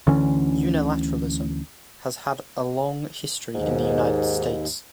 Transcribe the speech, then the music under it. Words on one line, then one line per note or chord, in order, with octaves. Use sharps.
Unilateralism has had a long history in the United States.
D2 D3 E3 C#4
D#2 G#2